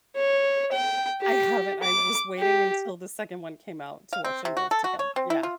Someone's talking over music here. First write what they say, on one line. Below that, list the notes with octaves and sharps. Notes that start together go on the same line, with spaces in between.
I haven't. I was waiting until the second one came out to watch 'em both together Yeah.
C#5
G5
G4
D6
G4
F5
C4
C3
F#4
A4
F#4
C#5
C4
E4
F4